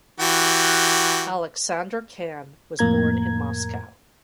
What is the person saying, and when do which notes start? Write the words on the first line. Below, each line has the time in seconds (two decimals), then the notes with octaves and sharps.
Aleksander Kan was born in Moscow.
0.20 E3 F#4 G4
2.79 F2 A2 A#3 A#5 G#6